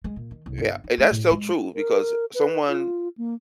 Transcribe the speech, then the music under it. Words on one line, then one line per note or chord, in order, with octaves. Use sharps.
Yeah, and that's so true, because someone
G#3
A#2
D#3
C2
G1
D#4
A3
A2
G#3
A#4
B4
F4
A#3